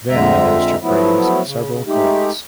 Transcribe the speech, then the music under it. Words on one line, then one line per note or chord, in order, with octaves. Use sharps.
Then the minister prays several collects.
F2 D3 G#3 E5 A#5
F3 F#3 A3 B3 E4
C#3
G#3 A3 D#4 G4